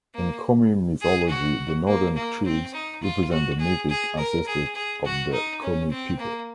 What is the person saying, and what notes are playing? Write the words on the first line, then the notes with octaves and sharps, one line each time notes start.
In Komi mythology, the Northern Chudes represent the mythic ancestors of the Komi people.
A#3
G#4
F#4
A#3
A#3
C4
D#4
F4
F#4
G#4
G#4
A#4
G#4
G#4
F#4
D#4
C#4
C4
A#3